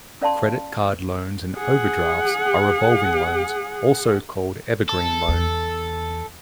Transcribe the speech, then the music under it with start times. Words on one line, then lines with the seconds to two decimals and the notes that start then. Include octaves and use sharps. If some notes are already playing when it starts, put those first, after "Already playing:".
Credit card loans and overdrafts are revolving loans, also called evergreen loan.
0.21 C#4 D5 F5 A5 C6
1.56 G#4 F#5
4.89 A4
5.28 E2